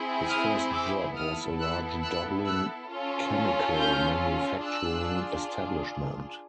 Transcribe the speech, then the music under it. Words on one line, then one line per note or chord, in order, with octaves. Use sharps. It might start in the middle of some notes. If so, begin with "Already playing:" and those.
His first job was a large Dublin chemical manufacturing establishment.
Already playing: C4 E4 G#4
D#6 F6
D6 E6
B3 E4 A4 D#6 F6
E6 F#6
E6 F#6
E6 F#6
C#4 F4 A4
F6 G6
D4 F4 G#4 E6 F#6